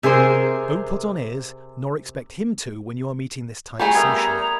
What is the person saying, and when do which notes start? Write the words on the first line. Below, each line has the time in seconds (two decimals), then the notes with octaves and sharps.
Don't put on airs nor expect him to when you are meeting this type socially.
0.03 C3 G#4 A#4 C5
3.80 G3 A3 G#4 G#5 A#5 C#6
3.95 B3 A#4 E5 G#6